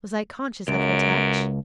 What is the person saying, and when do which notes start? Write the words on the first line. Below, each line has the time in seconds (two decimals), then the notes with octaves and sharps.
Was I conscious of her touch?
0.68 C#2 F#2 D7